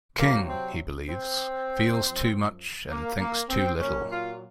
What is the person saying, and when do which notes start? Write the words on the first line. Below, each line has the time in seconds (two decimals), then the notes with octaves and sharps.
King, he believes, "feels too much and thinks too little".
0.16 C3 F#3 A#3
0.47 C4
1.07 C4
1.98 F#2 F3
2.89 A#3
3.19 A#3
3.49 C4
3.80 A#2 F#3 C#4
4.10 F4